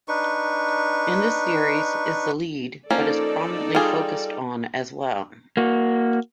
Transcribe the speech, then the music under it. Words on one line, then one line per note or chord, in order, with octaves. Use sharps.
In this series, is the lead, but is prominently focused on as well.
D4 D#4 B4 C#6
F3 A#3 C#4 D#4 A4 D5
G3 F4 G#4
A#3 F#4